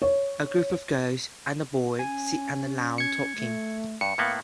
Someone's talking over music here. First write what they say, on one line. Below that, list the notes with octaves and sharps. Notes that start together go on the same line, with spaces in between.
A group of girls and a boy sit on the lawn talking.
C#5
C#4 G#5
G#6 C#7
A3
G2 C#7
A2 A#3 B3 F5